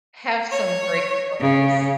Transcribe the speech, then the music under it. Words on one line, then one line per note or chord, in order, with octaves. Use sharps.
have some great holidays,
C#5
C#3